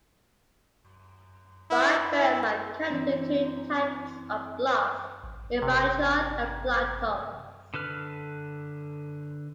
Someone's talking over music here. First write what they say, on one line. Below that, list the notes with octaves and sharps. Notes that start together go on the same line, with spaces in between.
Briar burls are cut into two types of blocks; ebauchon and plateaux.
E4
E4
E3 C4
A1
G#1 C3
D3 A4 B4 F6